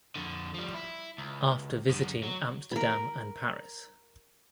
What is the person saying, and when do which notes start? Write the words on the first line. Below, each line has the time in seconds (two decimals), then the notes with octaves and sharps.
After visiting Amsterdam and Paris.
0.16 F2 D3
0.54 F3 G3
0.74 E4
1.18 C#2
1.89 F#2 D3
2.23 F#3
2.71 A#4 B5